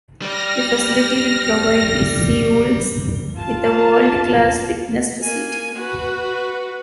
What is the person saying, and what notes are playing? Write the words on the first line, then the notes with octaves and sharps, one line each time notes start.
The facility will provide the Seawolves with a world-class fitness facility.
G3 D5 F6 A#6
F4 A5
A#3 G#5
F#4 B4